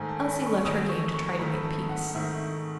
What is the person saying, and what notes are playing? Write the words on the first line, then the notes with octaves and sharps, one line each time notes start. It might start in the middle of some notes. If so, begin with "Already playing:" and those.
Elsie left her game to try to make peace.
Already playing: G#2 D#3 A3 G#5
A5
B5
C#6
G#2 D#3 A3 D#6
C#6
C#6
G#2 D#3 A3 B5
A5
F#5
G#2 D#3 A3 E5